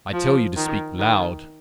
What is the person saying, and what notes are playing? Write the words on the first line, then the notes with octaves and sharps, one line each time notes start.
"I tell you to speak loud."
F3
D#3
D#3